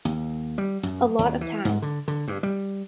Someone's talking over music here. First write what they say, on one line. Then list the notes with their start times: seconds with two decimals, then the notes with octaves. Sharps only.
A lot of time.
0.05 D#2
0.58 G3
0.83 F#2
1.19 D#2
1.41 E3
1.65 G#2
1.82 D3
2.08 D3
2.28 G2
2.43 G3